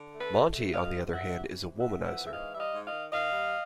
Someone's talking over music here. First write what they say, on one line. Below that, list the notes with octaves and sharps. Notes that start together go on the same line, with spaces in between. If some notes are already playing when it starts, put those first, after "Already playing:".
Monte, on the other hand, is a womanizer.
Already playing: D3
A3
A4 B4
A3
A3
F2 D#5 F5
C3
C3 E5 F#5
E3
C3
F2
E5 F#5
F2
E5 F#5
E3
E5
G#2 D#5 F5
G3 E5
D#5 F5
G#2
D#5 F5
D#3
D#3 D#5 F5
G3